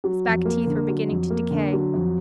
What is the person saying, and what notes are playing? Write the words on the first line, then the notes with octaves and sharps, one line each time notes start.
His back teeth were beginning to decay.
F#3
F2
A#3
D3
F#3
F2
A#3
D3
F#3
F2